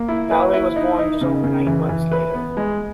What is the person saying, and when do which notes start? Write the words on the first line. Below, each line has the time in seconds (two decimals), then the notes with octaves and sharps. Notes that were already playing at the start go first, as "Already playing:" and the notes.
Valerie was born just over nine months later.
Already playing: A#3
0.08 E4
0.31 B4
0.53 E4
0.76 D#4
0.99 D#4
1.21 C#3
1.44 C#3
1.67 E3
1.89 E3
2.11 B4
2.34 B3
2.57 G#3